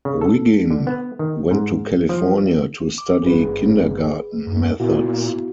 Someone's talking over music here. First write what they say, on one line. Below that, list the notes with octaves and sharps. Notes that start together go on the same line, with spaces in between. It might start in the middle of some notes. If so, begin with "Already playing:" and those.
Wiggin went to California to study kindergarten methods.
C#3
A4
D3
B3
D#3
G#2
F3
D6
G1 G#4 B4
F#2
A#2 B3 E4 F#4